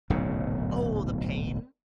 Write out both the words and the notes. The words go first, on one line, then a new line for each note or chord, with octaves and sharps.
Oh, The Pain?
D1 B1 G#2 C#3